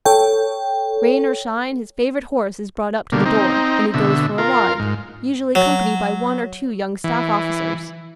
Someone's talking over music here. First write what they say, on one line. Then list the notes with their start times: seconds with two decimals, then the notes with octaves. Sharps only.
Rain or shine, his favorite horse is brought up to the door, and he goes for a ride, usually accompanied by one or two young staff-officers.
0.05 A4 C#5 G5
3.12 B2 D3 G3 A#3
3.26 C4 D#4
3.94 B2 D3 E5
4.38 F4 A#4
4.79 G#2
5.55 F#3
7.04 E3